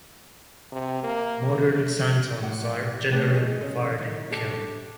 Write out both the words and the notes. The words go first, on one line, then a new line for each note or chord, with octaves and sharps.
Modern "santons" are generally fired in a kiln.
C3
A#3
A2 G4 F#5
C#3 A3 B3 G4 B4
G#4 D#5
C#3 A4 C5
D#3
D4 G4 A4 A5